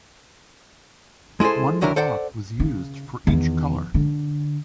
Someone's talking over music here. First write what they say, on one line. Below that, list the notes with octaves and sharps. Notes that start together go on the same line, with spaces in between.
One block was used for each colour.
G#3 E4 G#4 A4 C5
C2 D#3 F#3 D4 E4 A#4
A4 C5 D5 F#5
C#3
E2 D#3
D3